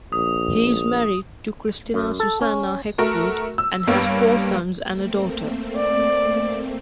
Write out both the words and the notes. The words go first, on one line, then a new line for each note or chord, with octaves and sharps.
He is married to Christina Susanna Heckroodt and has four sons and a daughter.
A#1 D#6
F#2
A4
C#4
A3 F#4 A#4
E6
G2 G3 A#3 B3 C#5
A3 A#3 C4
D5